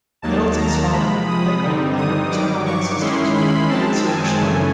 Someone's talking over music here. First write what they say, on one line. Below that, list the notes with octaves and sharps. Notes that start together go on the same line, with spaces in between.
Middleton's father, Michael, and her paternal ancestors were from Leeds, Yorkshire.
D#2 D#3 F#3 A#3 A5
A#5
C3 F3 G#3 B5
D#6
G2 D3 G3 C4 D#4
D#6
G2 D#3 F#3 D6
C#6
D#3 G#3 C#4 E4 C6
B5
F#2 D#3 G#3 C4 A5
G#5
F#2 C#3 E3 A3